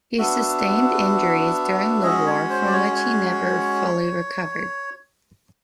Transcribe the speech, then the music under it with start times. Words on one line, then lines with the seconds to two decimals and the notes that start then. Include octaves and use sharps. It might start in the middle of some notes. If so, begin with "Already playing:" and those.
He sustained injuries during the war from which he never fully recovered.
0.18 B3 D4 F#4 E5
2.03 G#3 C#4 F#4 D#5
2.27 C#5
2.49 C5
2.66 D5
2.73 C#5
2.96 C#5